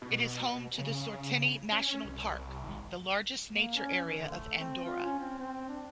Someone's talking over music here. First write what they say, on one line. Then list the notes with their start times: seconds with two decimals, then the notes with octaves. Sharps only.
It is home to the Sorteny National Park, the largest nature area of Andorra.
0.02 B2
0.78 C#3
1.72 C#4
2.05 C2
2.64 G#1
3.52 A#3
3.76 C#4
4.04 E3
4.18 D3
4.31 A3
4.59 C4
4.84 F4
5.04 C#4
5.19 C4
5.39 C4
5.69 D4